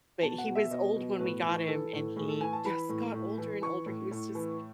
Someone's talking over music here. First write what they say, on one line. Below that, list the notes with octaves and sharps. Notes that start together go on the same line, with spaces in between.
But he was old when we got him and he just got older and older, he was just
B2 A5
F#5
B2
E5
B2 D#5
B2
A2 B4
E3
E3 A4
A2
A2 G#4
A4
E3 G#5
A5
E3 B5
A2
A2
E3
E3 C#6
A2
A2
E3